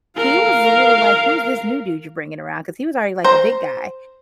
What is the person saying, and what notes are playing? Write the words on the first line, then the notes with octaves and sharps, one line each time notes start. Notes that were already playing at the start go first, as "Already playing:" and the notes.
he was a little, like, "Who's this new dude you're bringing around?" 'Cause he was already, like, a big guy.
A#4 F5
C5 A#5